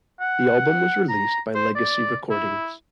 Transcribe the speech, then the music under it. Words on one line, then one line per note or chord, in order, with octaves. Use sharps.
The album was released by Legacy Recordings.
F#5
A#5
C5
D5
E4